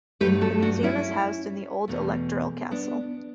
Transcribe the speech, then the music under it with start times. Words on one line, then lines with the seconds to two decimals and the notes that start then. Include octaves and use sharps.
The museum is housed in the old Electoral castle.
0.20 G2 F#3 A3 G4 B4
0.41 F#4 A4
0.62 D4 F#4
0.83 C#4 E4
1.88 E2 B2 A3
2.71 B3 D4